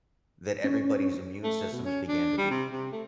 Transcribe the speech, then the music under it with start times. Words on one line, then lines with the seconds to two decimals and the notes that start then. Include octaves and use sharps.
that everybody's immune systems began to weaken.
0.64 C#4
1.44 A3
1.73 B2
1.85 C#4
2.08 D4
2.38 G3
2.51 C3
2.72 C3
2.92 A3